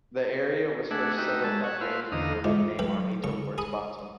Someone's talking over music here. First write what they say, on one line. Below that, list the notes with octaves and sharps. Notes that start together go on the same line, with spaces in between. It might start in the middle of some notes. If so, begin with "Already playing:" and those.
The area was first settled by James Ward and named Arminta Ward's Bottom.
A3 D4 G#4 E5 F#5
D#4 F#4 G4 E5
G#3 E5 A5
C#5 F#5 G#5
E4 B4 C5 F5
E2 D3 D#4 D#5 F5
G#2 F4 D#5 E5
F#3 B4 G5 B5
C#3 C#6
G#4 B5 D#6